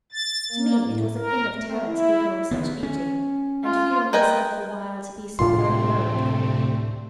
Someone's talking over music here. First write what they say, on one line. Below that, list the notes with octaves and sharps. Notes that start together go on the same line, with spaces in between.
To me it was a thing of terror to behold such beauty, and feel myself the while to be so very low and common.
A6
A#3
A2
A#4
A3
E4
D#3 B3
C#4
F4
A#4 B4 D#5 G5 G#5
D2 A2 C3 A3 C4 D4 F4 C6